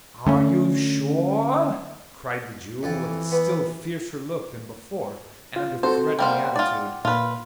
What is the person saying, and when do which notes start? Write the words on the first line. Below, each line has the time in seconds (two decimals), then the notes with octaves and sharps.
'Are you sure?' cried the Jew: with a still fiercer look than before: and a threatening attitude.
0.26 D3 A3 C#4
2.83 F2 E3 A4
3.32 B3
5.56 F4
5.83 C4 F#4 A4 C5
6.19 G3 A#3 C5 F#5 G5
6.56 F4 D5
7.05 A#2 F4 B4